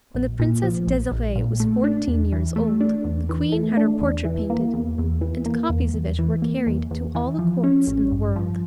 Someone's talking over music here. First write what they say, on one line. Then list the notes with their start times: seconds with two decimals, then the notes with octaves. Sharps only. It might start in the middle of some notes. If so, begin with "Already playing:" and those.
When the Princess Desiree was fourteen years old, the Queen had her portrait painted, and copies of it were carried to all the Courts in the world.
0.14 A#1
0.39 A#2
0.63 F3
0.87 A#1
1.12 A#1
1.36 A#2
1.60 A3
1.84 D4
2.08 E2
2.32 E3
2.56 A3
2.81 D4
3.04 E2
3.29 E3
3.52 A3
3.77 D4
4.01 E2
4.25 E3
4.50 A#3
4.74 E2
4.98 E2
5.21 E3
5.46 A#3
5.70 E2
5.94 E2
6.19 E3
6.42 A#3
6.67 E2
6.91 E2
7.15 E3
7.39 F3
7.63 C#4
7.87 A1
8.12 G2
8.36 F3